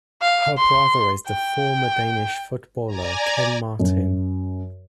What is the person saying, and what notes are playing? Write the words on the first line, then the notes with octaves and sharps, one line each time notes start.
Her brother is the former Danish footballer Ken Martin.
F5
C6
G5
D5 G#5 A#5
F#2